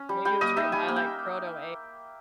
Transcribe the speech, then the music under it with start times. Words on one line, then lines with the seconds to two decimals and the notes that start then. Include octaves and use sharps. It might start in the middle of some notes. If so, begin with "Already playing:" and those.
Maybe it was written by, like, Proto AI,
Already playing: C#4
0.09 G3
0.25 G3 G5
0.41 A#3 D#5
0.57 D#4 E5
0.72 G3 G#5
0.88 A#3
0.96 G5